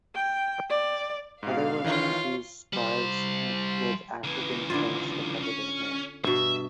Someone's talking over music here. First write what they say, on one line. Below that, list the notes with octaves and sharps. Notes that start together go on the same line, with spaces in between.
Other women used scarves with African prints to cover their hair.
G5
D5
G#2 B2 F5
D#3 E3 F4 C#5
G3 C5
C#2 E3
D3 E4 F4
C#4
G2 B2 E5